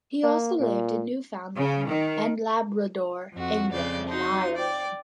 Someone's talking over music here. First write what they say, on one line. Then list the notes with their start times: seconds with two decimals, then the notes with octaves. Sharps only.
He also lived in Newfoundland and Labrador, England, and Ireland.
0.23 A#3
0.59 A#2
1.55 C#3
1.87 D#3
3.32 F2 F#4
3.70 F2 C#3 D5 G6
4.09 D#4 F#4 C6
4.55 D5 G5